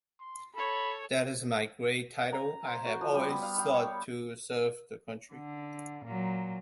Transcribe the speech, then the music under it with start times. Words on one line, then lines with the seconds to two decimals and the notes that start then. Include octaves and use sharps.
That is my great title: I have always sought to serve the country.
0.20 C6
0.55 A4 C#5 B5
2.32 A#5
2.65 C5
2.86 F#4
3.01 F3
3.14 G3
3.28 B3
3.42 F5
3.58 G5
3.74 C#5
5.33 D3
6.05 A#2 F#3